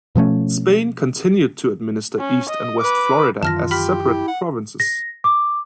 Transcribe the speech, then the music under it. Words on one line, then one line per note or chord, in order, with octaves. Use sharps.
Spain continued to administer East and West Florida as separate provinces.
B2 F3 A3 C#4
C#4
D#5
B4 D6
F#2 D#3 E3 F4 A5 F6 A#6
G4 B5 F6 B6
E4
F#5
A#6
D6